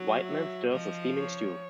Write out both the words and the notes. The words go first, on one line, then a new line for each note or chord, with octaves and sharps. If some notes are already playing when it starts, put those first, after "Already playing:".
Whiteman stirs the steaming stew.
Already playing: F#3
E5
F3 D#5
C#5